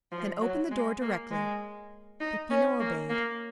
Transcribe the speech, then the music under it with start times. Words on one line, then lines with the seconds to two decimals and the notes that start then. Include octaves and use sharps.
"Then open the door directly." Peppino obeyed.
0.12 F3
0.41 F#3
0.71 G#3
1.01 A#3
1.31 G#3
2.20 D#4
2.50 C#4
2.80 A#3
3.09 A#3